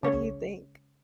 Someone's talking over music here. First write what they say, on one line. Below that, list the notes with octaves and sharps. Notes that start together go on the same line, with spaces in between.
What do you think?
C#3 C#5